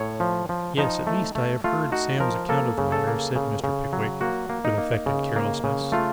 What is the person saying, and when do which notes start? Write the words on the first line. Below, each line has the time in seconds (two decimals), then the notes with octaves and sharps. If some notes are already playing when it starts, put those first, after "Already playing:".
'Yes; at least I have heard Sam's account of the matter,' said Mr. Pickwick, with affected carelessness.
Already playing: A2 C#5
0.20 F3
0.49 F3
0.77 F3 D#4
1.07 A3
1.35 A3
1.64 A3 F4
1.92 D#4 F#4
2.20 F3 A#4
2.49 A#3 A4
2.78 C#3
2.92 A4
3.07 A#3
3.36 C#3
3.64 C#3
3.93 F#3
4.21 A#3 F#4
4.49 A#3
4.65 D#4
4.78 A#3
5.06 C#3
5.36 A#3
5.64 C#3
5.92 A3 F4